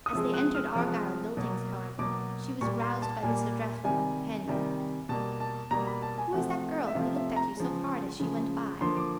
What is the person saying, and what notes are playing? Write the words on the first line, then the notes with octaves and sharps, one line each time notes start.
As they entered Argyle Buildings, however, she was roused by this address from her companion, "Who is that girl who looked at you so hard as she went by?"
D#6
C3 F3 G#3 E6
F#6
F6
C3 F3 G#3
B2 F#3 A#3
B2 F#3 A#3 D6
A#2 G3 A#3 C#6
C6
A5
A#2 G3 A#3 G#5
C3 D#3 G3 G#5
C3 D#3 G3
B2 G3 A#3 A5
A5
B2 G3 A#3 A#5
B5
A5
G#5
C3 F3 A3 F#5
E5
C3 F3 A3 F5
E5
A#5
C#3 F3 G#3
C#3 F3 G#3
D3 F3 A#3 C6
D6